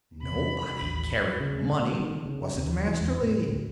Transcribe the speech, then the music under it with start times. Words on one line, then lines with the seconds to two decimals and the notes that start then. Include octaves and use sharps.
Nobody carried money; wasn't Masterly.
0.23 E2 C3 B5
0.80 A1 D#2
1.40 C#3
1.79 B2
2.00 D#3
2.25 C#3
2.55 D#2
2.87 E3
3.01 E2
3.21 A2
3.49 D2